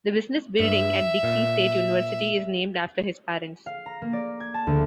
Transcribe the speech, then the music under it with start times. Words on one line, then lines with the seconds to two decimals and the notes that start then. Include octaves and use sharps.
The business building at Dixie State University is named after his parents.
0.59 G2 E5
1.23 A#2 F5
3.66 F5
3.86 A#5
4.02 A#3
4.13 D5
4.40 G#6
4.54 A5
4.67 D2